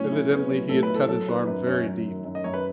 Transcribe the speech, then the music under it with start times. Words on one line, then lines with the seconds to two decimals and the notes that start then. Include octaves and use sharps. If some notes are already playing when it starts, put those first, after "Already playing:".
Evidently he had cut his arm very deep.
Already playing: A2 F#3 B3 C#4 C#5
0.11 E4
0.31 B3
0.51 F#3
0.69 A2 A4
0.83 B4
0.89 E4
0.95 A4
1.08 F#3 A4
1.28 D#3 B4
1.47 F#2 B4
1.67 F#2 C#4 C#5
1.86 F#3
2.05 D#3
2.25 F#2
2.35 D#5
2.44 F#2 C#5
2.54 B4